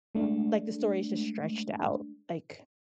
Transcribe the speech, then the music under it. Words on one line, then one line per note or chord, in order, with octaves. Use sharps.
like, the story is just stretched out, like,
G#3 A3 D4